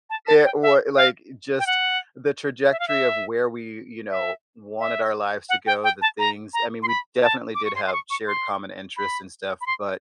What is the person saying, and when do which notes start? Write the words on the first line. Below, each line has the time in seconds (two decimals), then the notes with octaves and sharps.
it wa like, just, the trajectory of where we, you know, wanted our lives to go, the things I mean, we definitely did have shared common interests and stuff, but
0.10 A5
0.27 A5
0.45 G5
0.62 E5
0.97 F5
1.59 G5
1.67 F#5
2.71 E5
2.80 F5
2.88 E5
4.10 E5
4.79 E5
5.49 F#5
5.67 G5
5.84 G5
6.02 A5
6.19 A#5
6.54 A#5
6.83 C6
6.88 B5
7.23 A5
7.55 D6
7.65 C#6
7.75 C6
7.87 C6
7.93 C#6
8.10 C#6
8.27 C6
8.97 B5
9.61 B5
9.66 C6